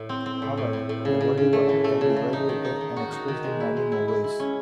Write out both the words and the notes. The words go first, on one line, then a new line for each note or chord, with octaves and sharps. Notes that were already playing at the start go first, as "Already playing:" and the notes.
However, the world economy can be evaluated and expressed in many more ways.
Already playing: A2
C4
C4
A2
A2
A2
A2
C#3
C#3
C#3
A3
E3
A3
C#3
C#3
D#4
D#3
D#4
D#3
F#4
D#4
D#3
G#3
E4
G#3
E4
E4
E4
C#4